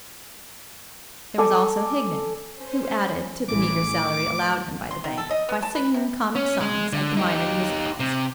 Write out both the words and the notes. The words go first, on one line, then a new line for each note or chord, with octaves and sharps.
There was also Hignett, who added to the meagre salary allowed him by the bank by singing comic songs at the minor music halls.
A4 D5 G#5
C#4 C5
A1 E3 G#4 D6
A3
C6
D#3
A4
D#5
B3
A5
B4
C3
C#4
G#3
D3
D#4 G4
C3